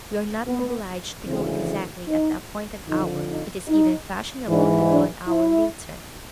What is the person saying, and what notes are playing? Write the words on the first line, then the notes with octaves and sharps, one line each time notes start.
We are not obliged to go exactly at the appointed hour; it is even fashionable to go an hour later.
B3
D2 C#3 E3 C4
D#4
F2 D3 F3 D#4
D#4
D#4
G#2 E3 D4
D4
E4